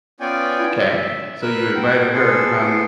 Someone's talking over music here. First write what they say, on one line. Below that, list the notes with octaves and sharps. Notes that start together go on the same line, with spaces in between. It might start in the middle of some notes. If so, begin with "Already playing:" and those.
Okay. So, you invited her to come
B3 C#4 F4 D5 G5 G#5
E5
A#4 B4 B5 E6 F#6
F#5 G5
B3 G#4 A4 C5